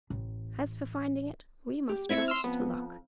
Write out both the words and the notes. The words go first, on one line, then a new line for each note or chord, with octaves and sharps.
"As for finding it, we must trust to luck."
A1
G4
C4 E4 E5 G#6 B6 C#7
C6 E6 F6
F2 B3